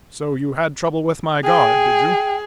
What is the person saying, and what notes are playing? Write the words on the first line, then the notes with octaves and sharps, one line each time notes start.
"So you had trouble with my guard, did you?"
G#4 G5